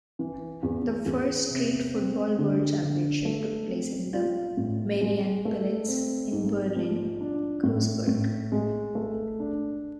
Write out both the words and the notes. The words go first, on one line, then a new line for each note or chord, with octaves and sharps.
The first Street Football World Championship took place in the Mariannenplatz in Berlin-Kreuzberg.
E3
E2
E2
C3
C4
D3
D3
A3
C4
F4
A2
G#3
A3
C4
G#2
F3
D4
A2
A2
G#3
A3
D4